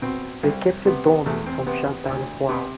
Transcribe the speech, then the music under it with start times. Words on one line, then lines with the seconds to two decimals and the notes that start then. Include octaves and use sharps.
They kept it dormant from shutdown of Wow!
0.02 B2 C4
0.43 C2
0.85 C3 B3
1.06 B3
1.26 E2 A3
1.46 C4
1.67 C3 B3
2.08 D2
2.49 C3 B3